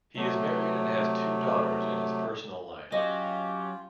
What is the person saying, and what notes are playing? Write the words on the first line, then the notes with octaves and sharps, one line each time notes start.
He is married and has two daughters in his personal life.
C3 F#3 A3
F#3 C#4 F4 G4 D#5